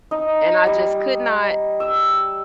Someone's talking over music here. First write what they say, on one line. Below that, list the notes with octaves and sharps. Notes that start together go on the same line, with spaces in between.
And I just could not
D#4
G3
E6